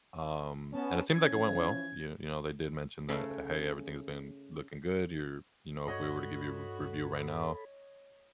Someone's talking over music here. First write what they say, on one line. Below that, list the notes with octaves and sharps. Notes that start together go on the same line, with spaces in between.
Um, and it seemed like it went well. You you know, they did mention that, "Hey, everything's been looking good. You're you know, if we were to give you a r review right now,
B3 C#4 A5
E3 F3 C#4 G#6
C#3 A3
G2 F#4 A4 C#5 D#5 B5